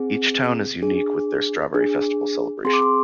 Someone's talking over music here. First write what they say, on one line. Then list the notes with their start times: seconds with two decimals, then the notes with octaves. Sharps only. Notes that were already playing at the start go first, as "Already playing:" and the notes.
Each Town is unique with their strawberry festival celebration.
Already playing: C4 G#4
0.82 D4 G#4
1.74 D4 G#4
2.65 C4 G#4 C6
2.73 D6
2.82 C6